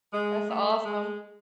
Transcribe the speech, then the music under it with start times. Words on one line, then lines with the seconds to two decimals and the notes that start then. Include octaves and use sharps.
That's awesome.
0.13 G#3
0.49 A3
0.86 G#3